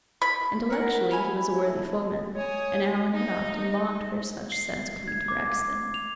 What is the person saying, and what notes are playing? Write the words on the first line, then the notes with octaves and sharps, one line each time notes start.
Intellectually he was a worthy foeman, and Alan had often longed for such since coming to Rexton.
B5
F#4 A#4 F#5
C4 E4 C#5 G#5 B5
D#4 E4 A4
C#5 G#5 D#6
D#4 D#5
C7
G#6
D6
F7